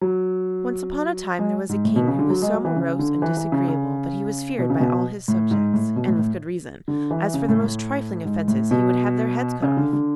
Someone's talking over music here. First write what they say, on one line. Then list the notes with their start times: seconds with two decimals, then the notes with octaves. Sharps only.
ONCE upon a time there was a King who was so morose and disagreeable that he was feared by all his subjects, and with good reason, as for the most trifling offences he would have their heads cut off.
0.01 F#3
1.39 G#3
1.69 G#2
1.85 A2
1.96 B2
2.07 C#3
2.19 D3
2.30 F#3
2.42 G#3
2.54 F#3
2.65 E3
2.76 C#3
2.99 D3
3.22 E3
3.37 E3
3.52 C#3
3.68 C#3
4.59 B2
4.70 C#3
4.80 B2
5.28 A2
5.51 G#2
5.74 A2
5.96 B2
6.08 A2
6.19 A2
6.88 D3
7.11 E3
7.34 C#3
7.49 A2
7.64 A2
8.25 G#2
8.48 A2
8.71 B2
9.62 C#3
9.77 D3
9.93 D3